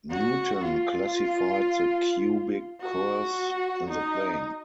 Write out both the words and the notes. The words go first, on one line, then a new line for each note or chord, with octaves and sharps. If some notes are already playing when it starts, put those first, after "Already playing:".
Newton classified the cubic curves in the plane.
F#4
F4
F#4
D#4